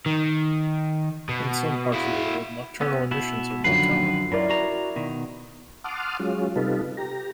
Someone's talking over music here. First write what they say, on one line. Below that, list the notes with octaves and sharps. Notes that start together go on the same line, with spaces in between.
In some parts of the world nocturnal emissions are more common.
D#3
B2
E4 F#4
B3 C#4 E6
B2 B3 E4
F#2 D3 D#3 F3 B4 C7
F#2 E4 F4 A#4 D5
F#4 A#5
B2 D#3
F#5 A5 C6 D6 D#6 F6
F#3 G#3 C#4 F4
C3 G3 D#4 F4 A4 B4
G4 A#5